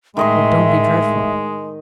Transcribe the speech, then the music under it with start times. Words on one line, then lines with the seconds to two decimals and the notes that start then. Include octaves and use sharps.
Oh, don't be dreadful!'
0.17 A2 D#3 G#3 D#5 E5 C6